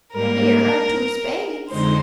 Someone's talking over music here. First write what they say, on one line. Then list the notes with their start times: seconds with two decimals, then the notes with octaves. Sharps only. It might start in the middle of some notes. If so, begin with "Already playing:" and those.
Here are two spades.
0.13 G#2 G3 A#3 A#4
1.68 F2 D3 G#3 D#4 C5